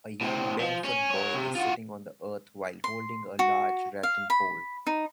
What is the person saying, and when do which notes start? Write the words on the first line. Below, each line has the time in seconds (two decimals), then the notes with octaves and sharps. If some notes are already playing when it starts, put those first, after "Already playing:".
A young barefoot boy is sitting on the earth while holding a large rattan pole.
0.21 A2 C4
0.60 F3
0.85 C#4
1.11 A#4 C#5
1.34 C3
1.55 F4 F#4
2.84 C6
3.39 F#4
4.03 F5
4.30 B5
4.87 D#4